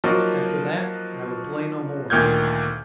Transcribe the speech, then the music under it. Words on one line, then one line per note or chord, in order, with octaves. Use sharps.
After that I would play no more.
F3 F#3 A#3 D#4 F#4
D2 A#2 D#3 F6 G6 G#6